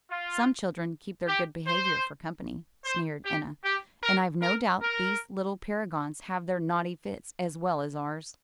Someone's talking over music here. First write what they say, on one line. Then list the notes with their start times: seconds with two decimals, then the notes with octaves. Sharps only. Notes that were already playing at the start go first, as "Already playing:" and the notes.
"Some children keep their good behavior for company," sneered Enna, "and I've no doubt these little paragons have their naughty fits as well as ours."
0.10 F4
1.27 G4
1.67 C5
2.85 C5
3.24 G4
3.63 G4
4.03 A#4
4.42 A#4
4.81 A#4